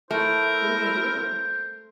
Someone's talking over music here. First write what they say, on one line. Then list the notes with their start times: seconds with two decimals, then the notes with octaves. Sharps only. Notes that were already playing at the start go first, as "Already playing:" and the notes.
what are you gonna do with 'em?
0.11 A3 E4 A#4 C5